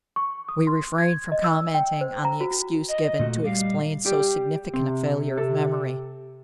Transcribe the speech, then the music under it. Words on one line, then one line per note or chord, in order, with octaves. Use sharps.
We refrain from commenting on the excuse given to explain so significant a failure of memory.
C#6
D#6
C6
G#6
D#5
E6
G5
C5
A#5
F#4
D#5
A#2 A3 F#4
G3 F5
G4 D5
C3 C4
A4